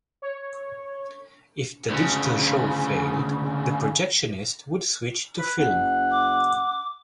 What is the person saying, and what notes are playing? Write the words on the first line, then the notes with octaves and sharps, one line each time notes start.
If the digital show failed the projectionist would switch to film.
C#5
D2 C#3
B4
F#1 F#5
D6